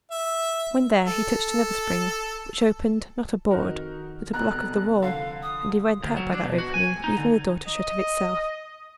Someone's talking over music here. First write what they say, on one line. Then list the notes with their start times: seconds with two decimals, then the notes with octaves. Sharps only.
When there, he touched another spring, which opened, not a board, but a block of the wall, and he went out by that opening, leaving the door to shut of itself.
0.11 E5
1.05 A4
3.51 F2 D#3 D#4 F#4 A#4
4.33 F1 C2 F2 B2 A#5 F#6
5.02 D3 F5
5.42 D#6
6.03 D2
6.17 F#3
6.32 D4
6.44 B2
6.58 F#4
6.74 G#5
7.04 D#4
7.17 D3
7.68 D#5